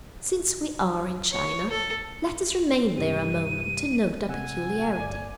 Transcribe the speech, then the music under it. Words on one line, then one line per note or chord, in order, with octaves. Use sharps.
Since we are in China, let us remain there a moment to note a peculiarity.
C#5
A4
G2 C3 G3 D#7
C3 F#5 G#5 E6
G1 D5